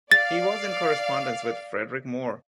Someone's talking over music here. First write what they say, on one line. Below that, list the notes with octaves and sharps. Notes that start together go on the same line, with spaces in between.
He was in correspondence with Frederic Moore.
D5 F5 A6